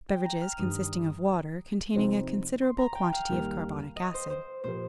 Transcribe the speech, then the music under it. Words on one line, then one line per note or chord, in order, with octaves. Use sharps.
Beverages, consisting of water, containing a considerable quantity of carbonic acid.
G5
A#5
F6
G2 D#3 G3 D#6
C3 F3 C4 D#4
C6
A#5
G5
F5
D#2 D#3 G3 A#3 G4
D#5
C5
C5
A#2 F3 A#3 G4 A#4 C5